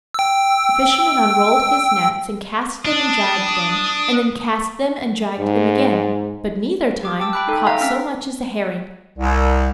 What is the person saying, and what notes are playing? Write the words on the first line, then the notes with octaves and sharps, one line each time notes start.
The fisherman unrolled his nets and cast them and dragged them, and then cast them and dragged them again, but neither time caught so much as a herring.
G5 E6
D4 D#6
G#2
G4 D6
G5 A5 D6 E6
G5 B5 F#6
D#4 A4
E5 F5 A#5
C4 C#4 G5 E6 F6 B6
C2